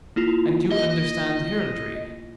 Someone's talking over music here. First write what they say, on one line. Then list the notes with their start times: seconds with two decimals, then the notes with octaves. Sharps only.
"And you understand heraldry?"
0.16 A#3 E4 F4
0.72 D#5